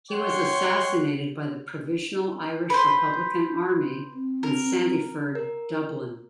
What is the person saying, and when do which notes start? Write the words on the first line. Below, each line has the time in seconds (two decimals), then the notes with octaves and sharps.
He was assassinated by the Provisional Irish Republican Army in Sandyford, Dublin.
0.11 C#5 F#5 G5 C6 C#6
2.70 B4 C5
4.15 C4
4.43 A#4
5.35 A#4